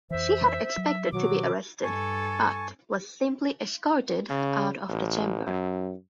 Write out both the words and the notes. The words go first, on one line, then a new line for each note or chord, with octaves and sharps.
She had expected to be arrested but was simply escorted out of the chamber.
F2 E3 C5 E5
F#3
B2 D#3 F#3 D6
G2 A4 G#5 A5 C#6
C#3
A1
F#2